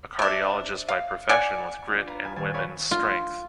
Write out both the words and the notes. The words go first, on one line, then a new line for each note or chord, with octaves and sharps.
A Cardiologist by profession with grit and women strength.
C3 D4
F5
D5 F#5 G#5
D4 F4
B4 F5 A#5
B4 G#5 A5
D#1 G#5 A5
A#4 B4 C#5 D5 F5
F4